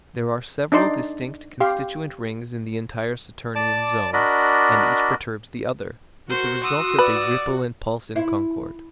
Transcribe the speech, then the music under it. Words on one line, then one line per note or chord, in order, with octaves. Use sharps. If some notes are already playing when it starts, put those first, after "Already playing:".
There are several distinct constituent rings in the entire Saturnian zone, and each perturbs the other, with the result that they ripple and pulse in concord.
D4 D#4 D5 C6
G4 F5 C6
D5 A5 D6
D4 F#4 A#4 D5 D#5 B5
F#4 A#4 C5
C6 D#6 E6
B4 D5
E4